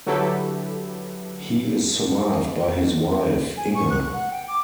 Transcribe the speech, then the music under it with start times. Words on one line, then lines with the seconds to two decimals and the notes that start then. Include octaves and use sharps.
He is survived by his wife, Inge.
0.06 D3 F#3 E4 G4 A4 B4
3.57 G#5
3.75 C#6
3.90 F#6
4.13 F#5
4.31 G5
4.48 D6